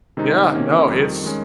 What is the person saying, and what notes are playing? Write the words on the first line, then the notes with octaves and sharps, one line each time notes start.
Yeah, no, it's
C3 D#3 G#3 C4 D#4
C3 D#3 A#3 C#4
F2 D#3 G3
D#3 G#3 C#4